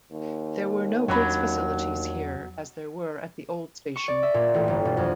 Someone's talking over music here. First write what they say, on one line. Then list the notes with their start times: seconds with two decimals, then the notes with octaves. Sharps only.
There were no goods facilities here as they were at the old station.
0.11 D#2
1.08 E2 F#3 C#4 D4 B5
3.96 C#6
4.08 D5
4.23 E5
4.34 A#2
4.54 A1
4.68 G1
4.85 B2
4.97 F2